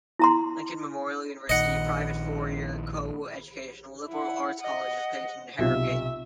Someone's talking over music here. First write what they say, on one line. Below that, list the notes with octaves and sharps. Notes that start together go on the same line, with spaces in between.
Lincoln Memorial University, a private four-year co-educational liberal arts college, is located in Harrogate.
E4 A#5 C6
A#1 D#3 D#5 F#5
E4 F#5
D#5 F#5
B1 C3 F4 E5